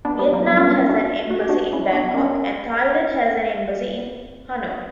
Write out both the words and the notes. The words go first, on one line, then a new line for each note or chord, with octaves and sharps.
Vietnam has an embassy in Bangkok, and Thailand has an embassy in Hanoi.
B3 D4
G3 B3
F#3 A#3
G3 B3
A#3 C#4
B3 D4
C#4 E4
D4 F#4
F#4
G4
D4 F#4
C#4 E4
B3 D4
A#3 C#4